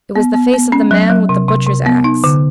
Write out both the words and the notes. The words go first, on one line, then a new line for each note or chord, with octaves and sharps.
It was the face of the man with the butcher's axe.
B3
B3
B3
C#4
F#3
F#3
C3
C3
C3
B3
D#4
D3